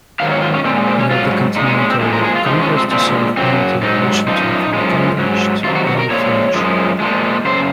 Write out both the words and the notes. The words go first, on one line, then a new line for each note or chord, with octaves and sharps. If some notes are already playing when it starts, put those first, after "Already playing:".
He left the Continental Congress to serve under Washington from Cambridge to Valley Forge.
G#2 D#3 F#3 F5
C#5
F4
C#4
A#2 G#3 C4
C4
C#4
G#2 F#3 F4
A#2 G#3 D#4
D#4
C#4
C4
A#2 F3 G#3
A#4
G#4
F4
C3 F3 G#3 D#4
C#4
C4
A#2 F3 G#3 C4
F#2 C#3 F#3 C4
G#2 F#3 D#4
F#2 F3 D#4
F#2 F3 G#3
G#2 F#3
F2 C3 D#3 F#3 F4
F#4
F#4
A#4
A#2 F3 G#3 C#5
F#2 F3 G#3
A#2 F3 G#3
F#2 C#3 C5